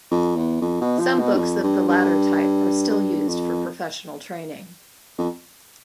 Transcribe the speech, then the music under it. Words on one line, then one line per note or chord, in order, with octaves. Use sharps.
Some books of the latter type are still used for professional training.
F2
E2
F2
B2
F3
B2
G2
F2
G2
G2
G2
F2
F2